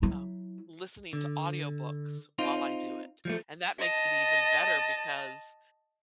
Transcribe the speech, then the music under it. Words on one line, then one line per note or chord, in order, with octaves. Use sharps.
um, listening to audiobooks while I do it, and that makes it even better because
F#3 E4
D3
C4 D#4 F4
F3 G3 A3
D#5 A5